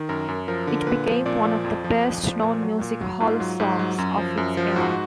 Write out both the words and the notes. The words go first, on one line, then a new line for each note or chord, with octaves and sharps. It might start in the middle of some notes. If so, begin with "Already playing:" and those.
It became one of the best known music hall songs of its era.
Already playing: D#3
F#2 A#4
F#2
F3 A#4
D3
A#4
A#2 B4
F3
A#2 D5
F3
F2
F3
F2
F3
A#2
F#3
A#2
F#3
G#2 F4
F#3
G#2
F#3
F#2
F3
F#2
F3
G#2 F#4